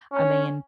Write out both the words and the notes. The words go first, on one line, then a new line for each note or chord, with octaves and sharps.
I mean,
C#4